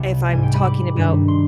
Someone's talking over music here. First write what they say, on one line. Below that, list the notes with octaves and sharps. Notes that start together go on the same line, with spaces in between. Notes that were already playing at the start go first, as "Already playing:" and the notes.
if I'm talking about
Already playing: C2 C3 G3
G#2 G3 G#5
G5
B5
D6
G2 D#3 G3
C6